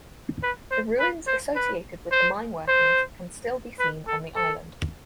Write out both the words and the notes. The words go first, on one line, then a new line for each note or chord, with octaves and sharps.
The ruins associated with the mineworkings can still be seen on the island.
B4
C5
B4
C5
B4
C5
C5
B4
A4
A4